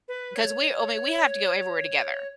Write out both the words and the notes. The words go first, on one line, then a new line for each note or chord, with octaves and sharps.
'cause we're I mean, we have to go everywhere together,
B4
C#5